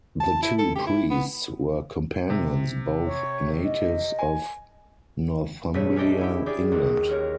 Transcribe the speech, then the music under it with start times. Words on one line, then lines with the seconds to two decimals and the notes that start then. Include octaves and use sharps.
The two priests were companions, both natives of Northumbria, England.
0.20 A5
0.42 E4
0.59 A4
0.75 G4
0.87 E4
1.10 B3
2.30 C3
3.06 C#5
3.64 D#5
4.19 G#5
5.74 E1 C4 C#5 B6 D#7
5.96 C#4 D4 G4 D#5 E5
6.19 C#4 E4 G4
6.46 G4 G#4 D5
6.72 D#2
7.09 A#4 C#5 F6